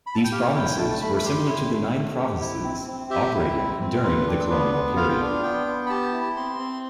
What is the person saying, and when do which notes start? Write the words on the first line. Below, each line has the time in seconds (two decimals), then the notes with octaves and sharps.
These provinces were similar to the nine provinces operating during the colonial period.
0.07 B5
0.15 A5
0.24 G5
0.32 G4 F5
0.55 E4 G5
0.78 A3 A5
0.91 A5
1.01 A3 B5
1.16 B5
1.25 G4 C6
1.48 E4
1.71 A3
1.94 A3
2.18 G4
2.41 E4
2.64 C4
2.88 C4
3.10 G4 E5
3.35 E4
3.57 C4
3.80 C4
4.04 F4 B4
4.27 D4
4.50 B3 B4
4.74 B3
4.96 F4 F5
5.09 G5
5.20 D4 F5
5.43 B3 G5
5.66 B3
5.86 B5
5.90 G4 A5
6.13 E4
6.36 C4 C6
6.59 C4